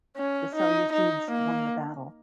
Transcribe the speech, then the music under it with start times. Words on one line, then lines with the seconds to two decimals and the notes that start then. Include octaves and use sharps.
The Seleucids won the battle.
0.17 C#4
0.56 D#4
0.93 D#4
1.32 A#3